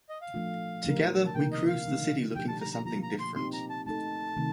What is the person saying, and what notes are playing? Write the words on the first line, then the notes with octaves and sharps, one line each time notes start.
Together, we cruised the city looking for something different.
D#5
F5
F3 A3 D4 F4
F3 A3 D4 G4 A#4
A5
C3 D#3 A#3 D#4 A#4 G5
D#5
F5
D3 F3 A3 D#4
F3 A3 D4 G4 G5
A5
A#5
A#5
F3 A#3 F4 A#5
A#5
C6
C4 D#4 G4 C6
A#5
A5
A3 D#4 A4 A5
C3 D#3 A3 C4